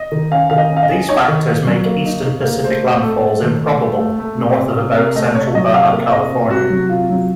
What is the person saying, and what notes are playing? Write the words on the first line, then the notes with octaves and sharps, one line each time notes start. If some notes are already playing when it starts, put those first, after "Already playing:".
These factors make eastern Pacific landfalls improbable north of about central Baja California.
Already playing: D#5
D#3
C#4 F5
D#3 F5
D#5
C#4
F5
D#5
C#4
D#4 C#5
D#3
A#3
F#3
A#3
D#4
D#4
A#3
A3 C5
C4
A3 A4
A3
D#3
A3
A3
A3
A3
C3
C3
C3
C3 A#4
A3 D#5
C3 C#5
F#3 D#5
C3 F5
A#3
C3 D#5
C3
C3 F#4
F#3
C3 F4
F#3